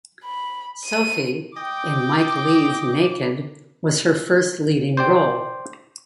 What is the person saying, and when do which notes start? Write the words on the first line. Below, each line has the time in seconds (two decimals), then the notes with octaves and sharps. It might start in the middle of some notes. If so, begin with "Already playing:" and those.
Sophie, in Mike Leigh's "Naked", was her first leading role.
0.24 B5
0.85 D#7
1.57 D#5 G5 D6
4.97 C5 D5 G5